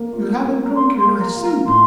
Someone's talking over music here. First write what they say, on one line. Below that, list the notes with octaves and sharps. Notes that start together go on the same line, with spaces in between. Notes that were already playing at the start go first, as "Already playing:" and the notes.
"You haven't drunk your nice soup."
Already playing: A#3
F4
A#3
A#5
A#4 C6
C6
A#3
A#5
F4
A#5
A2 C6